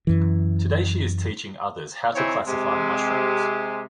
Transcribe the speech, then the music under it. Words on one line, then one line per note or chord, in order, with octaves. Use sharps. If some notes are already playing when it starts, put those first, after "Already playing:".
Today she is teaching others how to classify mushrooms.
F#2 E3
E3 C4 D#4 C#5
C3 G#3